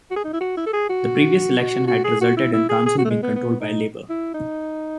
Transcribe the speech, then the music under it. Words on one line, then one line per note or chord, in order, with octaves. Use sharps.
The previous election had resulted in the council being controlled by Labour.
F#4
G#4
D#4
E4
F#4
E4
A4
G#4
F#4
F#4
G#4
F#4
E4
E4
G#4
G#4
F#4
A3
G#3
B3
B3
D#4
E4
D#4